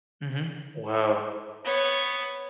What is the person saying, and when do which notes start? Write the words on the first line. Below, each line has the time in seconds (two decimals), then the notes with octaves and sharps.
Mhm, wow.
1.64 B3 C#5